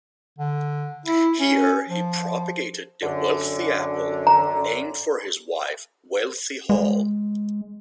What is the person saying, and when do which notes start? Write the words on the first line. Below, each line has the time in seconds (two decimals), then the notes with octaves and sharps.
Here he propagated the "Wealthy" apple, named for his wife Wealthy Hull.
0.39 D3
1.06 E4
1.40 C#4
1.89 F3
3.03 F#2 D3
4.27 A#5
6.70 G#3